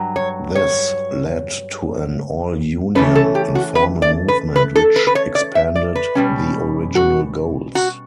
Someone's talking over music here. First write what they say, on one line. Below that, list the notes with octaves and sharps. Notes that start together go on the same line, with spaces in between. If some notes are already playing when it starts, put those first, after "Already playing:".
This led to an all-Union informal movement which expanded the original goals.
Already playing: G2 F#3
C#5
C#5
C#3 E3 A3 C#4 B4
A4
G4
F#4
B4
D5
B4
B4
A4
B4
B4
C#5
D5
E5
D5
B4
B2 G3 C#4
F#4
F#4